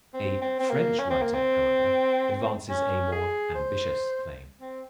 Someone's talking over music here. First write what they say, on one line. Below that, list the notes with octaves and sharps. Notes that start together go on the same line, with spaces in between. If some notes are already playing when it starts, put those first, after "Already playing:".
A French writer, however, advances a more ambitious claim.
C4
C4
C4
A#3
C#4
C4
A#3
C4
C#4
G#4
C5
C4